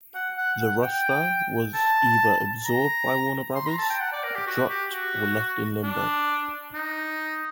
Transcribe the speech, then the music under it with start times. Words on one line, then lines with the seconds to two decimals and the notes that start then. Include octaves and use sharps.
The roster was either absorbed by Warner Brothers, dropped, or left in limbo.
0.15 F#5
0.38 F#5
0.60 F#5
0.82 G5
1.74 A5
2.65 A#5
3.55 C6
3.67 A#5
3.79 A5
3.90 G5
4.00 F#5
4.12 D5
4.24 A#4
4.35 G4
4.47 F#4
4.70 G4
4.92 F#4
5.83 D4
6.74 D#4